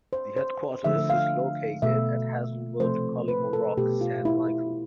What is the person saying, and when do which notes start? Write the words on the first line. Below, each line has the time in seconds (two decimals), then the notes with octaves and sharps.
The headquarters is located at Hazelwood, Collymore Rock, Saint Michael.
0.13 C5
0.37 C5
0.84 D3 F3 A3 E5
1.10 F5
1.82 B2 A3 E5
2.80 C3 F3 A3 C5
3.28 B4
3.53 A4
3.77 B2 A3 G4
4.01 F4
4.25 E4